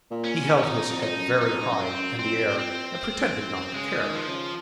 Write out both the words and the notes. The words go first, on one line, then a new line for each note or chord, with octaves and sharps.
He held his head very high in the air and pretended not to care.
A#2
C#4
F2 D#4
F2
D#4
F#2
F2 D#4
G#2
F#2
C4
F#2
F2 C4
C4
G#2
F#2
C#3 G#3
D#3
F3
C#3